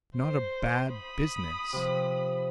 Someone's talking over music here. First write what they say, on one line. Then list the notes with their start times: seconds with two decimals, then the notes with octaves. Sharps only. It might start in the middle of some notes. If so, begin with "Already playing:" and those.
"Not a BAD business?"
0.16 C5
0.92 B5 D#6
1.73 C3 F3